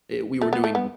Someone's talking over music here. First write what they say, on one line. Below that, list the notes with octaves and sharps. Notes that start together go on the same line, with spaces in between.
i we were doing
A3
B3
A3
B3